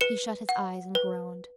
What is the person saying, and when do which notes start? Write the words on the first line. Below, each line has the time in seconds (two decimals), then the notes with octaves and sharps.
He shut his eyes and groaned.
0.01 B4 C#7 E7
0.49 F#5
0.95 B4